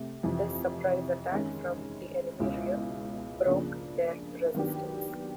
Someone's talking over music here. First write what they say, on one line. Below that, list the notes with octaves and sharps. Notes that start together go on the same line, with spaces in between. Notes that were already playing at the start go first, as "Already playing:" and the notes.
This surprise attack from the enemy rear broke their resistance.
Already playing: C3 A3
F2 C3 E3
D#3 G#3 C#4
C#2 B2 G#3 C#4 E4
C#3 F3 A#3 D4
D#3 F#3 B3 D4 G4